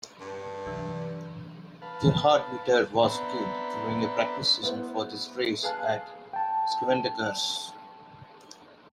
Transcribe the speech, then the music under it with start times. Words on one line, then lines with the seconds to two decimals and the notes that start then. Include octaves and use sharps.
Gerhard Mitter was killed during a practice session for this race at Schwedenkreuz.
0.20 G2
0.66 C3 E3 F#3 D4 E6
1.82 B4 F5 A5
3.03 B3 C4 D4 B4 E5 A#5
4.63 B3 E4 B4 C5
5.63 G#4 B4 F5 G#5 A5 F#6
6.33 G5 A5